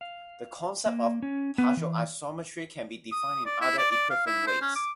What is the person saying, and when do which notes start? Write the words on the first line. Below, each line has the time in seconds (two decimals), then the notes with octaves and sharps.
The concept of partial isometry can be defined in other equivalent ways.
0.01 F5
0.86 A#3
1.22 C#4
1.58 B3
1.77 E3
3.12 D#6
3.46 D5
3.61 E4
3.78 D5
3.91 D5
4.10 F5
4.26 E4
4.47 C5
4.62 C#4
4.76 D6